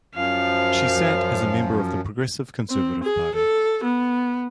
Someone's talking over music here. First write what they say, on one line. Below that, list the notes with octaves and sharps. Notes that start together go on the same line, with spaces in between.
She sat as a member of the Progressive Conservative Party.
F#2 F3 F5
C4
G#4
A4
B3